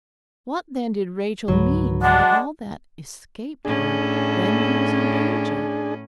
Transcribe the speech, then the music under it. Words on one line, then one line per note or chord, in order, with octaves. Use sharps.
What, then, did Rachel mean by all that escaped her, when he was in danger?
C#2 G#2 D3 F#3 B4
G#3 D4 F#5
A2 C#4 D4 G#4